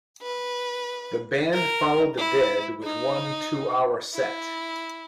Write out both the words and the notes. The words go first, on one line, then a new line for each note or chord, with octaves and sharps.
The Band followed the Dead with one two-hour set.
B4
A#4
E4
D#4
E4